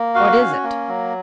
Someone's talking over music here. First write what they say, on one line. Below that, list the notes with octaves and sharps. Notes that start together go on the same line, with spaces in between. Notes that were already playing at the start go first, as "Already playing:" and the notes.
"What is it?"
Already playing: A#3
F#4 F5
C#4
A#3
F#3